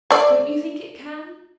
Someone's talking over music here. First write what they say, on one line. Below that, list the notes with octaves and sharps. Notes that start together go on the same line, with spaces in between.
Don't you think it can?'
A3 D5